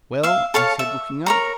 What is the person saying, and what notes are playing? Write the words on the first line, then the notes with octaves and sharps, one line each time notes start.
"Well?" I said, looking up.
E5 F5
A4 C#5 F5 A5
E5
A#4 C#5 A#5